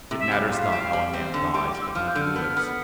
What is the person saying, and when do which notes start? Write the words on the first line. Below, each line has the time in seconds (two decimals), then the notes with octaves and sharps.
It matters not how a man dies, but how he lives.
0.11 C3
0.19 E5
0.31 G3 F5
0.45 E5
0.52 F4
0.59 F5
0.70 G3 E5
0.81 F5
0.93 G3
1.13 C4
1.34 D3
1.54 G3 C6
1.67 D6
1.75 G3
1.81 E6
1.95 F3 F6
2.08 G6
2.15 D3
2.22 F6
2.36 B3
2.57 B3